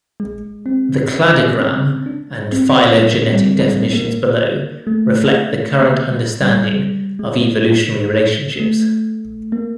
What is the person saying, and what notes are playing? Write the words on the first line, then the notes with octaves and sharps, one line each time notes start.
The cladogram and phylogenetic definitions below reflect the current understanding of evolutionary relationships.
G#3
C4
C#4
C#4
D4
C4
A#3
G3
G#3
A#3
A3
A#3
G#3
G3
G3
G#3
A3
A#3